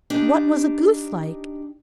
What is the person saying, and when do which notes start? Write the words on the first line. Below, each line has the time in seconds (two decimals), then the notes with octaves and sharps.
'What was a goose like?'
0.10 D4 D#4 G4